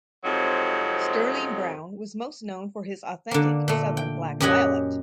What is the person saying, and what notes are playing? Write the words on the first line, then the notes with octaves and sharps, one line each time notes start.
Sterling Brown was most known for his authentic southern black dialect.
F2 C3 F#3 G#3 D#4
D3 A#3
A#2 A3
G5
F#2 C#4 G4 D#5 F#5 G#5